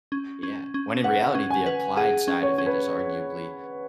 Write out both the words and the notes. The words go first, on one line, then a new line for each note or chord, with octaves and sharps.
Yeah. When in reality, the applied side of it is arguably
C#4
C#4
C#4
B4 F#5
C#4
G#5
B4
G#4 F#5
C#4
C#5
C#4
B4